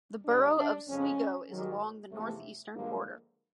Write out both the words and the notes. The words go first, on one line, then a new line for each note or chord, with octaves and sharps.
The borough of Sligo is along the northeastern border.
A#2 G3 D4
D4
F2 C#3 F3 G#3 C#4
G#2 D#3 F#3
E2 C3 F3 A3
G2 D3 F3 G#3 A#3